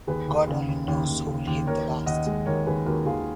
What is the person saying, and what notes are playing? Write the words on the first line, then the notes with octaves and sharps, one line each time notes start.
God only knows who will hit the last.
D#2 G#4 B4
D#2
C#3
D#2
D#2
D#2
C#3
D#2
D#2 A#4 C#5
D#2
D#2 D#5 F#5
G#3
D#2 A#4 C#5
D#2 G#4 B4
D#2 F#4 A#4
D#2 F4 G#4